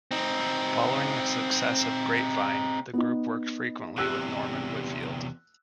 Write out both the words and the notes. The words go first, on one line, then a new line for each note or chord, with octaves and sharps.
Following the success of "Grapevine", the group worked frequently with Norman Whitfield.
C4 D#4
B3 D#4
E2 C3 G4 E6 F#6